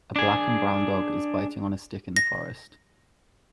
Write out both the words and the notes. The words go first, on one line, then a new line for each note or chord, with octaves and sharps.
A black and brown dog is biting on a stick in the forest.
D4 G#4
A#6